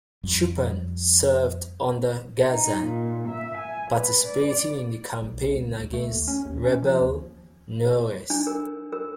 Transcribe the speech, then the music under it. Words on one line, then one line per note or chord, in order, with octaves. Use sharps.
Chupan served under Ghazan, participating in the campaign against the rebel Nauruz.
F2 G3
D#4
A#2
E5
G#5
B4
D5
B1
C#2
C#2
A3
D#2
C#4
D#2
C#4
F3
D#2
D4
A#4
A#4